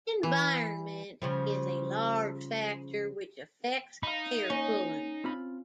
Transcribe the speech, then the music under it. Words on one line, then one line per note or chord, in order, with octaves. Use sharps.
Environment is a large factor which affects hair pulling.
E3
C#3 F3 G3
D#4 F5 B5
A#3 C#4 C#5
C4 F4 B5